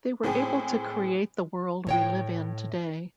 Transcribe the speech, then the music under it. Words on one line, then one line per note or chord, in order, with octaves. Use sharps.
They were able to create the world we live in today.
A2 G#3 C4 G#5
A2 C#5 G5